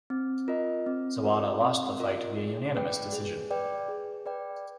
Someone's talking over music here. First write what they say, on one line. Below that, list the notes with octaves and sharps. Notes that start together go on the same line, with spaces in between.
Zawada lost the fight via unanimous decision.
C4
F4 A#4 D#5
C4
F4 A#4 D#5
C4
F4 A#4 D#5
G#4
B4 D5 G5
G#4
B4 D5 G5
G#4
B4 D5 G5